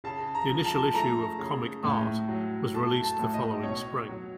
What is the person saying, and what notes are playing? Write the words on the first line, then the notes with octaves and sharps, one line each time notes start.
The initial issue of "Comic Art" was released the following spring.
C#3 A5
A#5
F3
A5
A3 A#5
C#3
A2
F#3
A3 A5
A5
A2
D#5
B2 C#5
F#3